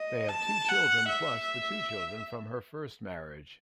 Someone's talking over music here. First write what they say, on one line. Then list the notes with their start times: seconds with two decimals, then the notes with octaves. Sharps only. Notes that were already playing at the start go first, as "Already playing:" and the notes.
They have two children plus the two children from her first marriage.
Already playing: D#5
0.29 A5
0.69 F#5
1.09 E5